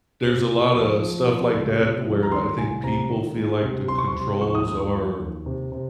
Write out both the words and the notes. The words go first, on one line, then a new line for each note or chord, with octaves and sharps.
there's a lotta stuff like that to where I think people feel like the controls are
C3
C3
F3 C#6
F3
F3
C#2
C3
F3
A#5
D#3 C6
C2 G#5
C3 A#5
D#3
G#3
C3
C3 C6
C#6
C6
C3
F3 C#6
D#6
D#2 D#6
C#6
F3
D#2
C3
C3